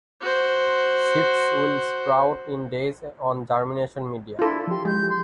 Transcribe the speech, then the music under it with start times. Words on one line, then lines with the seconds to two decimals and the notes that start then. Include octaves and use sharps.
Seeds will sprout in days on germination media.
0.21 F#4 C5
4.39 D4 E4 F4 A4 C6
4.67 F3 G4 C6
4.85 G#3 G6
5.08 C6